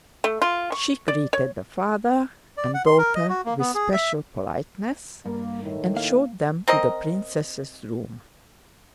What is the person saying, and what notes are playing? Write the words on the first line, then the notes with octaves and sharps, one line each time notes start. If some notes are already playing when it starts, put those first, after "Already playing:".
She greeted the father and daughter with special politeness and showed them to the princess' room.
A3
F4
C#6
D5
C#5
D5
F#5
C6
A#4
D#5
F#4
A#3
B3
G#4
E5
G2 A#3
A2 D#3
A#3 F5
C4 A#4 D#5